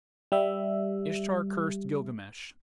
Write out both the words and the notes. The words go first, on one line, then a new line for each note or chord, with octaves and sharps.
Ishtar cursed Gilgamesh.
G3 E5